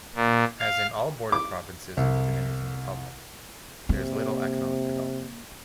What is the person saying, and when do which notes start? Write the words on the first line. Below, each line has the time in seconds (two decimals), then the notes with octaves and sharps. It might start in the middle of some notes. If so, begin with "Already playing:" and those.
As in all border provinces in the Dominican Republic, there is little economic development.
0.15 A#2
0.60 F5
1.32 D6
1.97 C2
3.89 C3 A#3